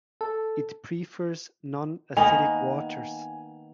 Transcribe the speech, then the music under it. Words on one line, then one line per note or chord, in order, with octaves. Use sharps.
It prefers non-acidic waters.
A4
D#3 A#3 B3 G#5 F7